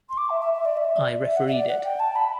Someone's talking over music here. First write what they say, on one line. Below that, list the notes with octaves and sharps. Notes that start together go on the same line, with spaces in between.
I refereed it.
C6
D6
E5
E5
E5
D5
E5
D5
E5
D5
D5
E5
F#5
E5
D5
F#5
G5
A5
B5